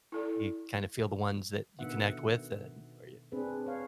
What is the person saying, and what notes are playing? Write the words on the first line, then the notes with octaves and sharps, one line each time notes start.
you kinda feel the ones that you connect with that or you
E4 A4 D5
B2 D3 D#3 B3 E5 F#5
C4 D4 G#4 B4
C#5 F5